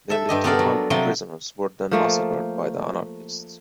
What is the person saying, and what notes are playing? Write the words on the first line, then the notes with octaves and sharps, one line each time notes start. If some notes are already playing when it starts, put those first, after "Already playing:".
Nearly two hundred prisoners were then massacred by the anarchists.
A4 E5
G2 G4 D#5
B3 G4 A4 A#4 D5 F5
F#3
C3 F3 F#3 G5
F3 A3 A#3